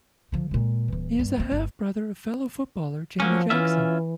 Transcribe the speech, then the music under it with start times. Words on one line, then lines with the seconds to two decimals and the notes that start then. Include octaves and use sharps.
He is the half brother of fellow footballer Jamie Jackson.
0.32 D3 F3
0.51 A#2 G#3
0.88 D#1 E3
1.19 G2 B3
1.37 A#3 C4
1.52 G1
3.20 F3 F#3 A#3 C#4
3.50 E3 C#4 F4 E5